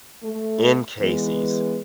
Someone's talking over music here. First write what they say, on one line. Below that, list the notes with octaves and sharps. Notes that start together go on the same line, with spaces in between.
in Casey's,
A3
E3 G#3 B3